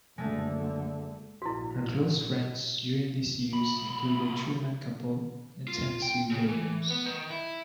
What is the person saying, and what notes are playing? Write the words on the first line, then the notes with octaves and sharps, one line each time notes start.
Her close friends during these years included Truman Capote and Tennessee Williams.
F#1 D3 G#3 A3
A#1 G#2 E4 F#4
C2 B5
F4
G5
C#3
E3
B3
D#3
E4